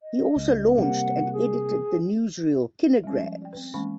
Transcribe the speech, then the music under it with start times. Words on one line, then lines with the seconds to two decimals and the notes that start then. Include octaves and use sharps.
He also launched and edited the newsreel "Kinograms".
0.02 D#5
0.36 C#2
0.78 C3 G3 A#3 F#5
1.33 G#4
3.04 G3 G#3 C#4
3.18 F3
3.42 D5 G5
3.53 C4 B4
3.74 E3 G#3 A#3 C#4 B5 C#6